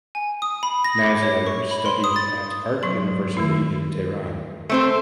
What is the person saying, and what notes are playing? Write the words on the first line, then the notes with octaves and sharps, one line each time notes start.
Nazer studied at art university in Tehran.
G#5
D#6
B5
A#6
D6
C#5
C#6
B5
C6
D#6
A6
F#3 C6
D#3 A3 E4
A3 C4 C5